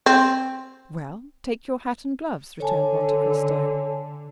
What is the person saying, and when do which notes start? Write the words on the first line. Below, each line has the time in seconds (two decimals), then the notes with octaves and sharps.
"Well, take your hat and gloves," returned Monte Cristo.
0.06 C4
2.60 D3 A4 C#5 G#5 A5